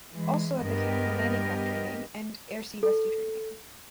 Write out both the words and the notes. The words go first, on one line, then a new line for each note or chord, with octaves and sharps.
Also at the camp were landing craft training and air sea rescue training.
E3 G#3
G2 B3 G4 A#4 D#5
A4